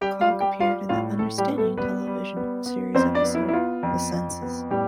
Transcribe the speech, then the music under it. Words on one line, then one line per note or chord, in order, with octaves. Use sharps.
Cog appeared in the "Understanding" television series episode "The Senses".
G3 G4 G5
F4 F5
G3
G4 G5
G3 F4 F5
A2 F4 F5
A2 A3 A4
G3 G4
B3
A3 A4
G3 B3 B4
G3
B3
B3
F2 C4 C5
D4 D5
B3
E4
E4
B3 F4
F2
F2
B3
A2 G3 G4